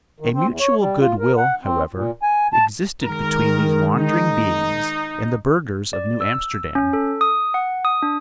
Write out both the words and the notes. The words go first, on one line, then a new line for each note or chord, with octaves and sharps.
A mutual good-will, however, existed between these wandering beings and the burghers of New Amsterdam.
D#3
C4
E2
C#5
G3
F4
A#4
F#5
C4
A#2
G#5
A5
D#3 G#3 A#4
D#4
D5
E6
C#4
A4
D#6
F#5
D#6
D4